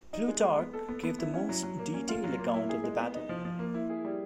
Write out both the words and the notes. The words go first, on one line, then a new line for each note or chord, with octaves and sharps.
Plutarch gave the most detailed account of the battle.
D#4
G#3
G#3
B3
A4
B3
B3
E4
C#4
F#3
F#3
A#3
C#4
F4
F#3
A#3
E4
G#4
G#3
B3
D#4
F3
F3
A#3
E4
G#4
G3